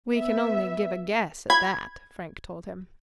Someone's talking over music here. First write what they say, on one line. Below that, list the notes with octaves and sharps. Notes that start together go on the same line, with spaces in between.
"We can only give a guess at that," Frank told him.
B3 E5
B5 G#6